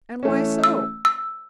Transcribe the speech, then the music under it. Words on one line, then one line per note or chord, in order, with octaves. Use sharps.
"And why so?"
E3 A3 C#4
E6
E6